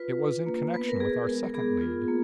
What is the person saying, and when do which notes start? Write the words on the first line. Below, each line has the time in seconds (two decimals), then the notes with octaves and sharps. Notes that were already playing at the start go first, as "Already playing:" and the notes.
"It was in connection with our second lead."
Already playing: F4 B4
0.20 D4
0.46 A#3
0.74 B3 B4
0.89 A#4
1.00 B3 G#4
1.27 G#3 A#4
1.44 A#4
1.54 B3 G#4
1.81 F4
2.08 A#3